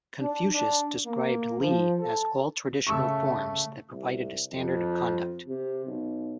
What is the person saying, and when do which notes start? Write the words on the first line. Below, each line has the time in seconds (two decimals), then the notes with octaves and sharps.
Confucius described "Li" as all traditional forms that provided a standard of conduct.
0.21 D4
0.52 D4
1.05 A#3
1.61 F3
1.99 A4
2.87 C#3 A3 C#6 E6
3.91 C2
4.52 F2
5.47 C3
5.86 B1